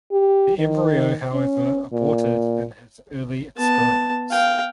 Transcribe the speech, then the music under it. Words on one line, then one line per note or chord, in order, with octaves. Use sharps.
The Embryo however aborted in his early experiments.
G4
D#3
C#4
A#2
B3 A5
F5 G5